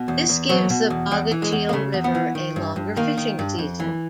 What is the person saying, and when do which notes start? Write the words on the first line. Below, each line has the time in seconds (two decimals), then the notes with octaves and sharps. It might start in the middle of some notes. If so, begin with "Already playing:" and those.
This gives the Bogachiel River a longer fishing season.
Already playing: B2
0.08 E2
0.29 E2
0.49 B2 F#3
0.70 B2
0.90 E2
1.11 E2 G3
1.31 E3
1.42 G#3
1.52 E2
1.69 A#3
1.73 C#3 A3
1.94 E2
2.04 B3
2.15 E3
2.35 D#3
2.56 G2
2.76 G2
2.97 D#3 A#3
3.18 D#3
3.39 G2
3.58 F2
3.80 E3